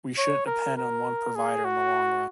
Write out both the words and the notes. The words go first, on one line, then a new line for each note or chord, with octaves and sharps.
We shouldn’t depend on one provider in the long run.
C#5
A#4
A#4
G#4
F#4